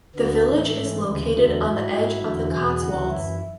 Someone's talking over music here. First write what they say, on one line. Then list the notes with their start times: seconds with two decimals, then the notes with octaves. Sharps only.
The village is located on the edge of the Cotswolds.
0.15 D2 D3 F#3 B3
0.44 A2 E3 A3
0.73 G#2 E3
1.03 D2 C#3 E3 G#3
1.33 E2 D3 F#3 A3
1.63 G#2 F#3 E4
1.92 G#2 F#3 E4
2.22 E2 D3 F#3
2.52 E2 B2 F#3 G#4
2.80 D2 C#3 E3 F#4
3.10 F#2 E3 E4